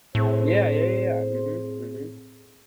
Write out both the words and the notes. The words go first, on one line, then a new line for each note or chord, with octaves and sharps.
Yeah, yeah, yeah, yeah. Mhm, mhm.
A2 C4 G#4 C5